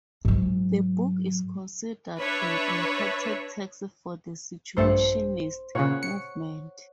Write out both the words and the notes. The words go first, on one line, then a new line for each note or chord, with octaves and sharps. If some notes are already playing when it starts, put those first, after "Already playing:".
The book is considered an important text for the Situationist movement.
G#2 F#3
D4 B4 C#5 E5
A#1 G2 A3 C5 C#7
A#2 C#3 C#5 F#5 C#6
C#7